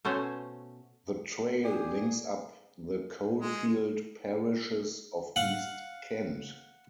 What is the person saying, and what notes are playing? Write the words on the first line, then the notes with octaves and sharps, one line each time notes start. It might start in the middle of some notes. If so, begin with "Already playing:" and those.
The trail links up the coalfield parishes of East Kent.
B2 A3 C#4 C5 C#5
G4 G#4 D5
G#3
F5 F#5